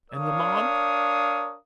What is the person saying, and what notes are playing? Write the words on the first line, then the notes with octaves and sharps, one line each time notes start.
"And La Mon?"
D4 A#4 C#5 F5 D#6